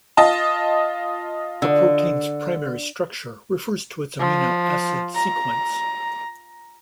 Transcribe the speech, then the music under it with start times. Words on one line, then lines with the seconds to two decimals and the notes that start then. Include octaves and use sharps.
A protein's primary structure refers to its amino acid sequence.
0.17 F4 D#5 A5
1.62 D3
4.19 F3
5.15 A#5